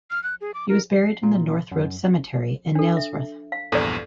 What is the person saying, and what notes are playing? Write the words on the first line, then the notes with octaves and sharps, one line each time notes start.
He was buried in the North Road Cemetery in Nailsworth.
F6
F#6
G#4
D6
A#4
C7
A#2
F#2
D4 A4
E5
F5
A#1 E2 G2 A4 D5